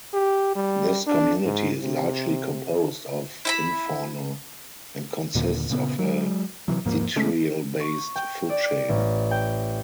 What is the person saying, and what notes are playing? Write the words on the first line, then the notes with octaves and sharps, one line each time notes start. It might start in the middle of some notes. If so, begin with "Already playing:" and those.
This community is largely composed of infauna and consists of a detrital-based food chain.
G4
G3
D4
G#2
C3
E4 E5 B5
D#2 A#2 D3
A#2 C#3 E3 B3
F#3 G#3
C3 E3 F#3
D#1 G#2 F3 A#3
C#3 G#3 A3 C#4
C#6
G5
D5
A1
G5